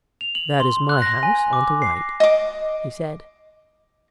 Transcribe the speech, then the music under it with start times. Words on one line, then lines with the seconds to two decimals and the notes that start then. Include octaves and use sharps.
"That is my house, on the right," he said.
0.21 F7
0.35 F#7
0.60 C6
0.89 F#6
1.02 A#6
1.23 G#5
1.53 D6
1.82 C7
2.20 D#5 D6